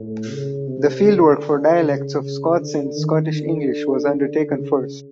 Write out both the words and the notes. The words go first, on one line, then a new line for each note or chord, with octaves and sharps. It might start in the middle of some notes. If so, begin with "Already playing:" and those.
The fieldwork for dialects of Scots and Scottish English was undertaken first.
Already playing: A2
C#3
C3
D3
C#3
C#3
D3
D#3
D3
D3
C#3